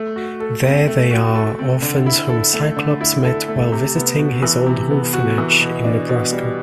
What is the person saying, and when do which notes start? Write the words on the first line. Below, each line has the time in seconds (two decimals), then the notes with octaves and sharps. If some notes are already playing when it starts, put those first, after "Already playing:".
There they are orphans whom Cyclops met while visiting his old orphanage in Nebraska.
Already playing: A3
0.16 F#4
0.40 A4
0.63 C4
0.87 A3
1.11 F#4
1.35 A4
1.59 C4
1.82 D3
2.06 E4
2.29 A4
2.53 A3
2.76 D3
3.01 E4
3.25 A4
3.48 A3
3.72 C3
3.95 B3
4.19 F#4
4.43 E3
4.66 C3
4.91 B3
5.13 F#4
5.38 E3
5.61 B2
5.85 D4
6.09 B2
6.32 G3